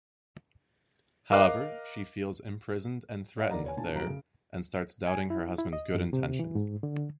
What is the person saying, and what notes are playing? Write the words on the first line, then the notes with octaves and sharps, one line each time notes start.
However, she feels imprisoned and threatened there and starts doubting her husband's good intentions.
A#4 D#5 F5 D6 F#6
C#5 D#5 F5 F#5
F1 D3 A#4 D5 A#5
B4 C#5 G#5
A#2 D4 G#5 A5
F1 F#2 F#4 A#5 D7
C#3
G#5
E4
E4
D#5
F#2
C3
E3
G#2
D3